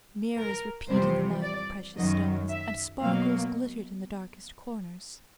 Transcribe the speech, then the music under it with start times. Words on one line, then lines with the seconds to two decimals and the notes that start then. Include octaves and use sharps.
Mirrors repeated the light of precious stones, and sparkles glittered in the darkest corners.
0.37 A#4
0.90 F2 C3 E3 G3 C5
1.43 D5
1.96 F#2 D#3 F#3 D#5
2.49 E5
3.02 B2 F#3 A#3 F5